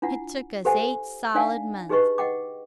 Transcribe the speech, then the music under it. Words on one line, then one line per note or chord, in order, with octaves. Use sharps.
It took us eight solid months.
D4 E4 F4 F#5
G4 A4 C5 F#5 G#5
D4 D#4 D5 F5 F#5 G#5
D#4 G4 G#4 B4 D#5 C#6
D#5 F#5 G5 D6